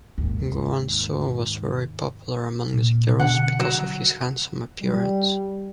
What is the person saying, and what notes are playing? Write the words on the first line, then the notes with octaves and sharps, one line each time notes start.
Guan Suo was very popular among the girls because of his handsome appearance.
D#2 G#2
A#2
B2 D3 F#5
F#3
G3